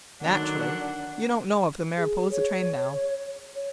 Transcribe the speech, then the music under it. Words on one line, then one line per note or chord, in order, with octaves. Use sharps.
Naturally you don't know of the Mariposa train now.
D3 D#3 F#3 D4 F#5
G#4
C#5
C#5